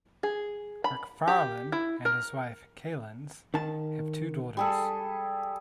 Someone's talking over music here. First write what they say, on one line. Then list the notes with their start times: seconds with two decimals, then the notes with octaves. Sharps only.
McPharlin and his wife, Kalinz, have two daughters.
0.23 G#4
0.84 B5
1.28 G4
1.72 E4
2.05 A#4
3.54 D#3 A5
4.57 G3 G#4 A4